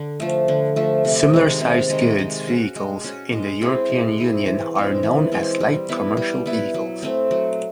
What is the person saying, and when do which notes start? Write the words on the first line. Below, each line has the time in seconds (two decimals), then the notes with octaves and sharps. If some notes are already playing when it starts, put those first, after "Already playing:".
Similar sized goods vehicles in the European Union are known as light commercial vehicles.
Already playing: D3
0.20 F3 A3
0.48 D3
0.76 F3 A3
1.05 C3
1.34 D#3 G#3
1.61 C3
1.90 D#3 G#3
2.19 G#3
2.47 C#4 F#4
2.76 G#3
3.04 C#4 F#4
3.32 G#3
3.61 C4 E4 G#4
3.90 G#3
4.18 C4 E4 G#4
4.46 E3
4.75 G#3 C4
5.03 E3
5.32 G#3 C4
5.60 G3
5.89 B3 E4
6.17 G3
6.46 B3 E4
6.74 F#3
7.03 A3 C4
7.31 F#3